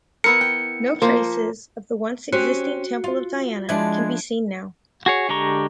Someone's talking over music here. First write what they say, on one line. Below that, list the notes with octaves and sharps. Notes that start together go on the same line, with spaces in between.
No traces of the once existing Temple of Diana can be seen now.
B3 E4 A#4 C#7
G5
F3 A#3 C5
C4 C#4 F#4 G4
F4
F3 G#3 D4 E4 G#6
F#4 G#4 C#5
D3 G#3 G4 A#5 C#6